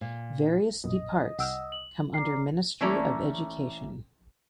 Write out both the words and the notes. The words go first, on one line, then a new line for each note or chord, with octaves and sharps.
Various departs come under ministry of education.
A#2
A#1 F#2 B2 D#5
C2 F#5 G5 E6 F6
F#7
A#4 D5 C7
E3 A3 A#3 C#4 D5 A#5